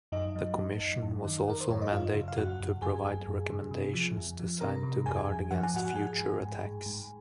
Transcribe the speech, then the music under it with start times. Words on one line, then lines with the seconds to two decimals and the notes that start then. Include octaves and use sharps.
The commission was also mandated to provide recommendations designed to guard against future attacks.
0.12 F#2 D#4 D#5
0.36 F#3
0.57 F#2
0.80 F#2
1.02 F#2
1.25 D#3
1.48 D#3 A#4
1.61 C5
1.69 F#2 C#5
1.82 D#5
1.92 F#2 F4 F5
2.15 C#3
2.28 F5
2.36 F#2 F#4 F#5
2.60 F#2
2.82 F#2 G#4 G#5
3.04 F#2
3.27 F#2
3.50 C#3
3.71 C3
3.94 F3
4.17 F2
4.40 F3
4.61 C3 A#4 A#5
4.83 C3
5.06 F2 G#4 G#5
5.29 F2
5.51 F3 F#5
5.63 G#5
5.74 G#2 F#4 F#5
5.91 F#5
5.95 F3 G#4 G#5
6.19 G#2
6.41 G#2
6.64 G#2
6.86 G#2